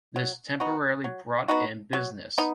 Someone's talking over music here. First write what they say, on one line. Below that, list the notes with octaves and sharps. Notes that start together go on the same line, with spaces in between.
This temporarily brought in business.
F#3
B3 D#4 F#4
F#3
B3 D#4 F#4
F#3
B3 D#4